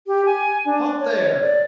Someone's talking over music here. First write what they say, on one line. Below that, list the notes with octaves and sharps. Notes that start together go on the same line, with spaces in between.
"Halt there!"
G4
G#5
D4
C#5
D5